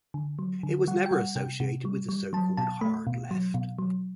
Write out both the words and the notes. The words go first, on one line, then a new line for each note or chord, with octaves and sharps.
It was never associated with the so-called Hard Left.
D3
F#3
D3
G3 F#5
G5
G3 F#5
C3 G5
C3
G3
G3
F#3 A5
B2 A5
A3 B5
B2
F#3
B2
F#3